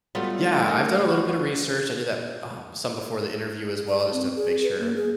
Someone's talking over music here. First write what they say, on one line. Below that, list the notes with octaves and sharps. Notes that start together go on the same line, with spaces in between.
Yeah, I've done a little bit of research. I did that, um, some before the interview as well just to make sure
F#3 G3 A3 B3 F4
D#4 G4 A#4
F5
F#4
D5
D5
C4
G#4
B4
A#3
G#4